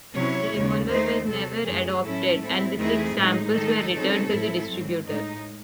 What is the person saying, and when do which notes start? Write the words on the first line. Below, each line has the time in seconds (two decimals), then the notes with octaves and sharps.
The revolver was never adopted and the six samples were returned to the distributor.
0.14 C3 F#3 C#4 E4 C#5
0.52 D#2 C#3 G#3
0.89 D#3 A3 D#4 C5
1.27 C3 F#3 C4 A4
1.64 F#2 D#3 A3 G#4
2.03 A2 F#3 C#4 E4 A4
2.41 A2 G#3 C4 E4
2.78 E2 D#3 A3 C4 E4 G#4
3.16 A2 G#3 D#4
3.54 D#3 G#3 D#4 A4
3.93 C#3 F#3 C4 D#4
4.30 A2 G#3 C4 E4
4.68 G#2 F#3 C4
5.05 A2 G#3 D#4 D#5